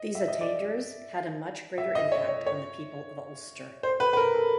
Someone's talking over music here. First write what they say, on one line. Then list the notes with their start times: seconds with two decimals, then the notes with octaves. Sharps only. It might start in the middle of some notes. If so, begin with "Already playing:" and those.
These attainders had a much greater impact on the people of Ulster.
Already playing: D#5
0.15 E5
0.28 D#5
0.41 D5
1.78 E5
1.95 D#5
2.12 C#5
2.29 C#5
2.47 C#5
3.83 C5
4.00 B4
4.13 B4
4.17 A#4
4.34 A4